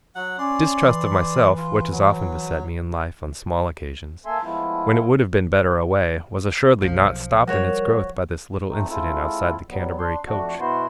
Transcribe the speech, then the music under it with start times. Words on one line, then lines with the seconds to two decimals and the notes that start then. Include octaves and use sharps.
A distrust of myself, which has often beset me in life on small occasions, when it would have been better away, was assuredly not stopped in its growth by this little incident outside the Canterbury coach.
0.15 F#3 F#5
0.38 C#4 D5 C6
0.84 E3
1.57 F4
1.91 F#3
4.25 A#3 A4 E5 G#5 C6
4.43 F3 G#3 A3 B3 E4 F4
6.82 B1 F3
7.47 G3 F#4 A#4 C#5
8.70 A3 C4 D#4
8.89 G#3 C4 E4 F4 A4
9.69 F#3 G3 B3
9.98 D4 C6
10.26 F2 A3 D4 F#4
10.60 B2 B3 E4 F#4 C5 C6